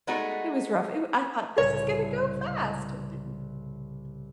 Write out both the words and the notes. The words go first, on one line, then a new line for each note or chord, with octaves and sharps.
it was rough, it wa I thought, "This is gonna go fast." It didn't.
G#3 A3 B3 D#4 F#4 A4
C2 A2 C#3 C#5